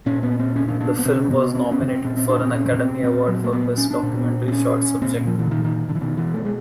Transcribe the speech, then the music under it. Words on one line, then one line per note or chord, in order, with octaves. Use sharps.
The film was nominated for an Academy Award for Best Documentary Short Subject.
A#2 C#4
B3
C4
C#4
D4
D4
B3
B2 C4
B3
C4
C#4
C4
A#2 C4
C4
D4
C4
C#4
C4
A#2 C4
F#3
A#3
B3
C#4
D4
A#2
C4
C#4
A#2 C4
F3
E3
D#3
D#3
D#3
D3
E3
B2 D#3
E3
A3
G#3